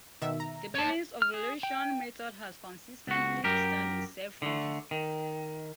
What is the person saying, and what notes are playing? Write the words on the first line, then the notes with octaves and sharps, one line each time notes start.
The Billings Ovulation Method has consistently distanced itself from these.
B2 D#3 E5
A#5
C#5 A5
F6
G#4
G5
C#2 F#4
F#2 G4 A#4
D3 A3
D#3